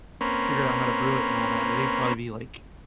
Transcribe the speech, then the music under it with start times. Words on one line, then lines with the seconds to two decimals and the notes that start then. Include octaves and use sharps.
figured out how to brew it and all that and they'd probably be, like,
0.21 A#3 C4 C#4 B4